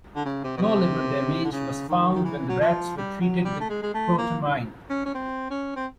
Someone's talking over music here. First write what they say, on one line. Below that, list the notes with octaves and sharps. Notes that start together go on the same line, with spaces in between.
No liver damage was found when the rats were treated with protamine.
D3
C#3
C3
B2
C3
D3
C#3
D#3
D#3
E3
F#3
F3
G3
F#3
G3
A3
G#3
G#3
A3
A#3
C#4
C#4
C4
C#4
C4